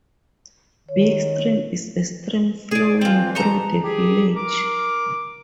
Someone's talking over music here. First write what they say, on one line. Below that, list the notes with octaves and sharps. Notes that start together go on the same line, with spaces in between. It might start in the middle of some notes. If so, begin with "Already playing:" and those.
Big Stream is a stream flowing through the village.
D#3 C#5
G#4 D5
F2 A#2 E3 C4 F4
D#4 A5 A#5
G4 G#4
A#4 D6